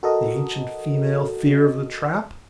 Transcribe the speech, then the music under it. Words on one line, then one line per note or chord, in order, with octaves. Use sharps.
The ancient female fear of the trap?
F#4 A4 A#4 D#5